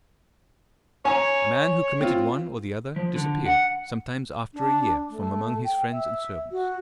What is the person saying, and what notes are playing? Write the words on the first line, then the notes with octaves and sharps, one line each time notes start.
A man who committed one or the other disappeared, sometimes after a year, from among his friends and servants.
C#5 G#5 A#5
C4 F4
F3
D3
F#5
D4
A3
G5
E5
F#4